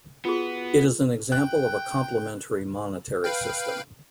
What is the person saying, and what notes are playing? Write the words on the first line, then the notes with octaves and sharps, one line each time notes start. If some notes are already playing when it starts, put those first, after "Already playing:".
It is an example of a complementary monetary system.
B3 F4 F#4 G#4
G5 F#6
B4 F5 G5